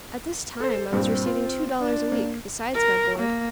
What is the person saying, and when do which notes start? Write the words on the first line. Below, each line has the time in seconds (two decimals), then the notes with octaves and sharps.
At this time I was receiving two dollars a week, besides my board.
0.60 A4 C5
0.92 G2 A#2 G3 C4
1.26 F4
1.80 D4
2.12 A#3
2.74 A#4
3.19 A#3